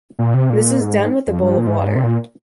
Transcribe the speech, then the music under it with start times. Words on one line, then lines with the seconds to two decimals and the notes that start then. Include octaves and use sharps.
This is done with a bowl of water.
0.19 A#2
0.34 C3
0.50 A#2
0.81 G#2
1.27 F2
1.42 G2
1.57 A#2
1.67 G#2
1.77 G2
1.86 G#2
1.96 C3
2.04 A#2